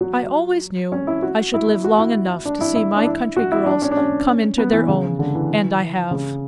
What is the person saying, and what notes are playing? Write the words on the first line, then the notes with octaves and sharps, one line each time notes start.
I always knew I should live long enough to see my country girls come into their own, and I have.
F#3
C#4
E4
F#4
E4
F#4
E4
D4
E4
E4
D4
E4
F#4
E4
D4
C#4
D4
C#4
B3
E3
C#3
D3
E3
C#3